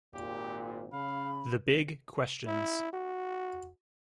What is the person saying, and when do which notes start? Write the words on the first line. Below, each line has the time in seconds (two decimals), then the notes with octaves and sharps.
The Big Questions.
0.14 G#1 A#2 G4
0.92 C#3 F5 B5
2.46 E4
2.93 F#4